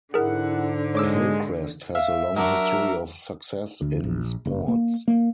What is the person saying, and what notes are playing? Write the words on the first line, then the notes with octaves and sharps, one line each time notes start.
Hillcrest has a long history of success in sports.
G#2 D3 E4 G#4 A#4 F#5
G#3 C#5 D6 E6
E5 F5
F#3 D4 A#4 E5 C#6
D2
A#1
F#1
A#3
A#3